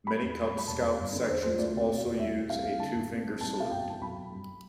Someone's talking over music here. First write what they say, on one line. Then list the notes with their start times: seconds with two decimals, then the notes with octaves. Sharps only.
Many Cub Scout sections also use a two-finger salute.
0.06 G3 B5
0.22 E2
0.37 G3
0.52 G3
0.58 B5
0.67 E1 A5
0.83 E2
0.97 G1
1.13 D3
1.27 E2 C5
1.43 F3 C5
1.58 D2 D5
1.74 C3
1.89 B2
2.04 E2
2.19 G3 E5
2.34 D2
2.50 C2 F5
2.64 C2
2.80 D3 A5
2.95 A1
3.10 C3
3.26 E3
3.41 C2 A5
3.56 B2 F5
3.71 G1 G5
3.86 E3 A5
4.01 B1 B5
4.16 B1
4.32 G2